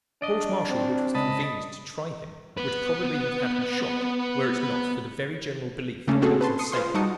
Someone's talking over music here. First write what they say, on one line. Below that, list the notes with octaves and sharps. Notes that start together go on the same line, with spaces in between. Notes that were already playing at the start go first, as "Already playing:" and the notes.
The court-martial which was convened to try him would probably have had him shot were it not for the very general belief that he was insane.
D4 D5 D#5
C4
C#2 D#5 A5 B5
B3 B4
C#3 A3 A#3 C#4 D4
C4 C#4 F#4 G#4 A4
B4 A5 C6
C6 D#6 C7 C#7
F4 G#4 B4 C5 F5 C6
G3 D#4 F#4 A5 D#6 C#7